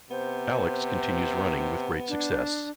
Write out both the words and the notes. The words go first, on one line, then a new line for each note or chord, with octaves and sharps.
"Alix" continues running with great success.
C3 B3 C5
D4